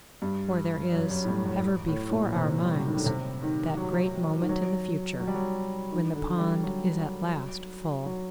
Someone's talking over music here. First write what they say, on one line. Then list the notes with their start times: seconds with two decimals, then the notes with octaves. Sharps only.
For there is ever before our minds that great moment in the future when the pond is at last full.
0.22 G2
0.92 F#2
1.10 F#2
1.24 A2
1.28 G2
1.46 F#2
1.87 A2
2.11 A#2
2.36 C3
2.65 G3
2.75 F#3
2.86 D#3
2.97 D3
3.06 C3
3.43 D#3
3.77 F#3
4.41 D#3
4.49 F#3
5.20 F#3
5.27 G3
5.35 F#3
5.91 D#3
6.15 D3
6.39 G3
6.63 F#3
6.98 F#3
8.05 F#3